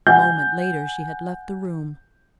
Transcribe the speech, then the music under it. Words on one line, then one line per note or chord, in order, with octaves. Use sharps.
A moment later she had left the room.
F#5 G#5 G6